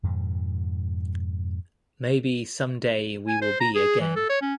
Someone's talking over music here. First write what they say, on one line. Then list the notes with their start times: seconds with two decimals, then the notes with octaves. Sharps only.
Maybe someday we will be again.
0.03 F2 G#2 B2 D#3
3.28 G#5
3.42 C5
3.60 A#5
3.75 G#4
4.00 E3
4.16 A4
4.30 C#5
4.42 C#4